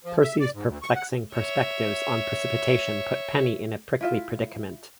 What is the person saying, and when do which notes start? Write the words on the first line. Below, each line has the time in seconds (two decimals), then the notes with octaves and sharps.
Percy's perplexing perspectives on precipitation put Penny in a prickly predicament.
0.05 F3
0.22 E5
0.40 D5
0.54 G#2
0.67 D2
0.82 C#6
0.95 F#5
1.35 C#5 E5
4.01 E4 F4 E5